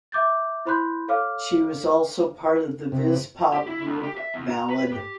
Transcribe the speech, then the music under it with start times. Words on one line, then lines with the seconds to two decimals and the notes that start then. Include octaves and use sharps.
She was also part of the vispop group Ballade!
0.12 E5 D6 G6 A6
0.65 E4 C5 B5 C6 F#6 G6
1.08 A4 C#5 F5 D6 F6
2.92 C3
3.53 G4
3.67 E4
3.86 D2
4.03 G4
4.18 E5
4.34 E2
4.50 A#5
4.70 B4
4.92 G4